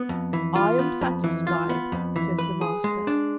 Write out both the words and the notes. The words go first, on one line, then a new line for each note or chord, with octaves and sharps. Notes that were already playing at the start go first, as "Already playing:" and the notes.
"I am satisfied," says the master.
Already playing: B3
F2
E3
F4
B3
F2
E3
F4
B3
F2
E3
B4
G#4
G#3
D4